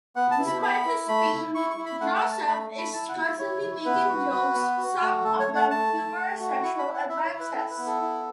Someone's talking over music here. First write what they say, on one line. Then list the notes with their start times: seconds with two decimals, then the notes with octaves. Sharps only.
Despite his pain, Josef is constantly making jokes, some of them humorous sexual advances.
0.16 B3 F#5
0.31 A5
0.39 E4
0.47 B5
0.62 B3 B5
0.85 E4
1.08 A3 B5
1.32 E4
1.55 E4 C#6
1.70 C#6
1.77 E4
1.86 B5
2.01 A3 F#5
2.16 F#5
2.24 A3
2.32 A5
2.47 A3 B5
2.70 A3
2.78 B5
2.93 E4 A5
3.09 F#5
3.17 E4
3.24 E5
3.39 E4 C#5
3.63 E4
3.86 B3 B4
4.09 F#4
4.32 F#4
4.55 B3
4.78 F#4
5.01 A3
5.24 A3 A4
5.39 C#5
5.47 A3
5.55 F#5
5.71 A3 A5
5.93 A3
6.16 A3
6.40 F#4
6.63 E4 C#6
6.79 B5
6.86 E4
6.94 F#5
7.09 E4 E5
7.24 C#5
7.32 E4
7.40 B4
7.55 E4 A4
7.71 B4
7.78 B3
7.87 A4
8.02 E4